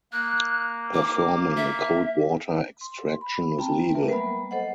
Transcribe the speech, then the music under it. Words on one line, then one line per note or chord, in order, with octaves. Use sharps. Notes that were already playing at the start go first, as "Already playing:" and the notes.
Performing a cold water extraction is legal.
A#3 F#6
D6
E5
C6
B5
C4 G5 A5 A#5
A3 A#4 B4 E5
F#3 G3 A#3 B3 B5
A4 C5 D#5 F#5